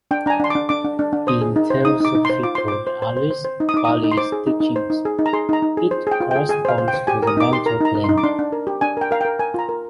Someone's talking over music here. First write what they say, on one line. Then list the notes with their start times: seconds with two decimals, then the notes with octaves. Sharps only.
In Theosophical and Alice Bailey's teachings, it corresponds to the Mental plane.
0.11 D4 G5
0.26 D4 A#5
0.30 G#5
0.40 D4 C6
0.50 D6
0.55 D4
0.69 D4 D6
0.85 D4
0.99 D4
1.13 D4
1.27 C5 D#6
1.41 G#4
1.56 D#4
1.70 C5
1.85 D#4 D#6
2.00 D#4 D6
2.15 D#4
2.25 C6
2.30 C5
2.43 F4 D6
2.55 C5 C6
2.68 C5 D6
2.87 C5
3.02 C5
3.17 C5
3.31 C5
3.45 C5
3.60 D#4
3.69 D#6
3.74 D#4 D6
3.85 D#4 D#6
4.04 D#4
4.12 C6
4.17 C5 D6
4.32 G#4
4.46 D#4
4.61 D#4
4.76 C5
4.90 D#4
5.05 G#4
5.19 D#4
5.26 A#5
5.33 G#4 C6
5.49 D#4 A#5
5.62 D#4
5.77 G#4
5.91 C5
6.07 G#4 G5
6.20 F4
6.31 G5
6.36 G#4
6.49 G#4 G#5
6.65 C5 F5
6.78 C5
6.88 G5
6.94 C5
7.07 G4 G#5
7.23 A#4 D#6
7.37 D#4 D6
7.51 G4 C6
7.66 A#4 A#5
7.81 D#4 A#5
7.95 D#4
8.04 C6
8.09 D#4
8.18 D6
8.23 D4 C6
8.39 D4
8.52 A#4
8.67 G4
8.81 D4 G#5
8.97 A#4 G5
9.11 A#4 F5
9.21 G5
9.25 A#4
9.39 A#4 G#5
9.54 F4 A#5
9.69 A#4